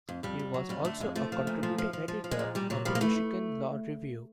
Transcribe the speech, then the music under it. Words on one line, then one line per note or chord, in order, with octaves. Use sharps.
He was also a contributing editor of the "Michigan Law Review".
F2
F2 G3
F2
F#3
F2 G3
D3 A3
F2 G#3
F3 A3
F3
A#2
F3
F3
F3
F3
F3
G#3
A#2
A#2 G3
A#2 F#3
F3 G3
A#3
E3 A3